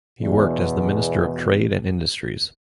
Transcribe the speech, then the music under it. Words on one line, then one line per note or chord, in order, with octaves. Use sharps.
He worked as the Minister of Trade and Industries.
E2 B2